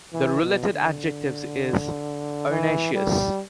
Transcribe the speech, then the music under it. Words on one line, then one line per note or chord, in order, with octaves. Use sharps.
The related adjective is "arenaceous".
E3
B2
D3
E3
G3